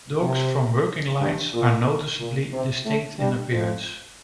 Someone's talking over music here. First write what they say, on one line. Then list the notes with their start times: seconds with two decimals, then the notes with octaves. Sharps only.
Dogs from working lines are noticeably distinct in appearance.
0.21 C3
1.20 G2
1.53 A#2
2.19 A#2
2.52 C3
2.85 A2 A3
3.18 G2 G3
3.50 F2 F3